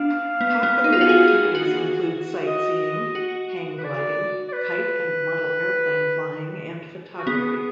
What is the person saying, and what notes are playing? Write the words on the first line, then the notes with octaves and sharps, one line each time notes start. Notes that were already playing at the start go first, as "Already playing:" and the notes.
Popular activities include sight-seeing, hang gliding, kite and model airplane flying, and photography.
Already playing: B3 D4 F5
B3
B3
D#4
F4
F#4
G#4
F#4
D#5
F#4
B4
D5
D5
B4
F#4
B3 G#4